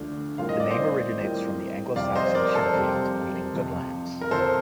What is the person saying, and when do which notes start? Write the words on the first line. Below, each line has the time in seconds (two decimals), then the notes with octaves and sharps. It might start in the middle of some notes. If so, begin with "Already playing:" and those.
The name originates from the Anglo-Saxon "Chenefield", meaning 'good lands'.
Already playing: D2 D3 F3 A3 D4
0.38 A2 G3 C4 F4 A#4 F5
0.49 D#5
0.60 D5
0.70 C5 D#5
1.17 A2 G3 C4 F4 A#4
1.96 F2 C3 G3 C4 G4 D5 F5
2.15 C5 D#5
2.35 A#4 D5
2.54 A4 C5
2.74 F2 C3 G3 C4 G4
3.53 F2 C3 F3
4.21 A#4
4.31 F2 C3 F3 A4 C5